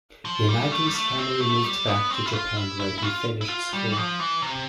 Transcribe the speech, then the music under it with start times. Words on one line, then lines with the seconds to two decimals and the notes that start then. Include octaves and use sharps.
Yanagi's family moved back to Japan where he finished school.
0.25 F3
0.49 G3
0.71 A3
0.86 G3
0.94 A3
1.18 C4
1.40 A3
1.64 G3
1.88 B3
2.10 C4
2.26 E4
2.33 F4
2.57 E4
2.80 E4
2.98 E4
3.03 F4
3.41 E4
3.49 F4
3.73 G3
3.92 E3
3.97 F3
4.19 E3
4.42 C3